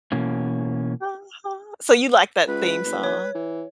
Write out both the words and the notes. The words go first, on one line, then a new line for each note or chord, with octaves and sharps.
Uh-huh. So, you like that theme song?
B2 E3 A#3 C#4
C#2 B4
F#1
C#5
E3